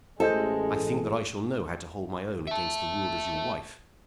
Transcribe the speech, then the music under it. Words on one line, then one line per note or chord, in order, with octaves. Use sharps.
I think that I shall know how to hold my own against the world as your wife.
A1 G#3 A4 C5 D#5 G6
E5 A5